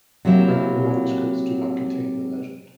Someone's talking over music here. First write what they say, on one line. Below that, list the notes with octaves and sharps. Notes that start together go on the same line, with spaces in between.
Earlier manuscripts do not contain the legend.
C3 F#3 A#3 C4 E4